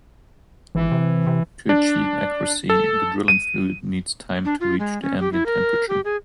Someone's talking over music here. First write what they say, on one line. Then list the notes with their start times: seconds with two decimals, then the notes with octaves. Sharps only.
To achieve accuracy the drilling fluid needs time to reach the ambient temperature.
0.75 G#1 E3
0.92 C3
1.27 C3
1.69 D4
2.70 A4
3.28 D#7
4.45 D4
4.60 F4
4.79 G#3
5.02 C#4
5.20 G4
5.33 E4
5.46 A#4
5.89 G4
6.05 G#4